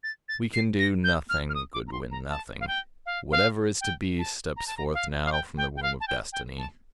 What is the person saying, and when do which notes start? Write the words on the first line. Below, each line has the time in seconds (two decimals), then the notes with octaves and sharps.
"We can do nothing, Goodwin--nothing. Whatever is to be steps forth now from the womb of Destiny."
0.03 A6
0.29 A6
0.53 C7
0.79 A#6
1.04 G6
1.29 F6
1.49 F6
1.54 D#6
1.73 D6
1.88 A#5
1.92 C6
2.11 A#5
2.30 A5
2.60 F5
2.67 G5
3.06 F5
3.32 F5
3.81 G5
4.19 A5
4.56 A#5
4.67 A5
4.77 A#5
4.94 F5
5.25 F5
5.32 G5
5.57 G5
5.76 G5
5.82 F5
6.00 A5
6.08 G5
6.32 G5
6.58 A5